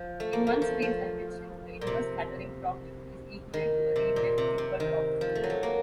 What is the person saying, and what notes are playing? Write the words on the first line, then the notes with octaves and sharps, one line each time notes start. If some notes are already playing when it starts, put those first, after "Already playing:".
In one space dimension the inverse scattering problem is equivalent to a Riemann-Hilbert problem.
Already playing: F3
A3
A#3
A3
F3
F3
A#2
C3
D#3
C3
A#2
C3
C3
D#3
F3
A3
F#3
A3
A#3